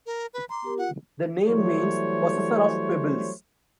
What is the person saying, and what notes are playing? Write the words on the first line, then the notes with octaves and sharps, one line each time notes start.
The name means "possessor of pebbles".
A#4
B4
A#5 C6 D6
B3 G4 A#4
F4 F#5
E3 F#3 G3 A3 C5 C#5